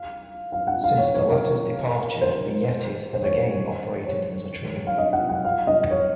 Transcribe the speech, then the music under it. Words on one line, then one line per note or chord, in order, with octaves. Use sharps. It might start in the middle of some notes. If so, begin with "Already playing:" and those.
Since the latter's departure, The Yetties have again operated as a trio.
Already playing: F5
F5
F#5
F5
C#5
C#5
A#4
C5
C5
C#5
C5
C#5
F5
D#5
F#5
F#5
F5
D#5
C#5